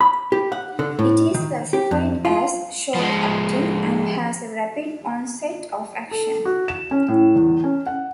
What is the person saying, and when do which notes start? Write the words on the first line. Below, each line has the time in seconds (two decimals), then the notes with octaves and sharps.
It is classified as short-acting, and has a rapid onset of action.
0.01 B5
0.32 G4
0.52 F#5
0.79 D3
0.99 A2
1.34 D#3
1.73 G4
1.91 F2
2.25 F4
2.95 F3 G#3
6.11 A4
6.45 F#4
6.68 E7
6.91 C#4
7.08 A2
7.36 E2
7.64 C#4
7.86 F#5